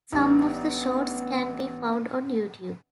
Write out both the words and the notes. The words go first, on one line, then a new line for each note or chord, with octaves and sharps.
Some of the shorts can be found on YouTube.
A1 G3 B3 D4 D#4